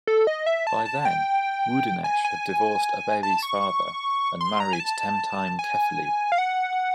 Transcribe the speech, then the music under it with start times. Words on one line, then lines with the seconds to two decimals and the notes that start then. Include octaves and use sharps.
By then, Wudinesh had divorced Abebe's father and married Temtime Kefelew.
0.07 A4
0.27 D#5
0.46 E5
0.67 A5
0.85 A5
1.05 G5
2.04 G#5
2.25 G#5
3.23 A5
3.43 C#6
4.41 C6
4.60 A#5
4.73 G#5
4.80 A5
5.59 G#5
6.32 F5
6.38 F#5